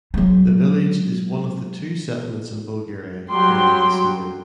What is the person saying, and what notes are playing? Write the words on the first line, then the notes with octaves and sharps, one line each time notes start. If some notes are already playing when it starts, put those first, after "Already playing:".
The village is one of the two settlements in Bulgaria bearing this name.
F#3 G#3
F#3 G3 G5 C6